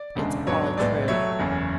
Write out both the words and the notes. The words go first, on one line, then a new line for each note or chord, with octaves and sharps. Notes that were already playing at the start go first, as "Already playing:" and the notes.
"It's all true."
Already playing: D5
E1 D2 C#3 G#3 D4
G#2 F#3 B3 D4 C#5
B1 A2 G#3 B3 D5
A2 F#3 A3 C#5 E5
F#1 E2 C#3